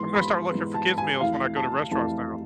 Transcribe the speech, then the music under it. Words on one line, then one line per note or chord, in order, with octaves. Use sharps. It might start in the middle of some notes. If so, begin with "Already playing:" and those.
I'm gonna start looking for kids meals when I go to restaurants now.
Already playing: G#2 E3 B3 C6
B5
G#2 E3 B3
A5
G#5
F2 E3 A3 E4 F5
A5
F2 E3 A3 E4 A5